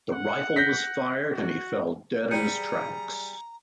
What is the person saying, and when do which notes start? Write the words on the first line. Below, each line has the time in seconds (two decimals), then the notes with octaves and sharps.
The rifle was fired and he fell dead in his tracks.
0.12 F#5
0.56 G6 A#6 B6
1.33 F#4
2.31 G3 G#4 A#5 G6 C#7 D#7